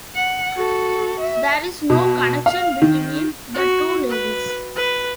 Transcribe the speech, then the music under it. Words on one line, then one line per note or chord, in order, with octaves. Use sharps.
There is no connection between the two labels.
F#5
F#4 A4
E5
B2
F5
D#3
F#4
B4
B4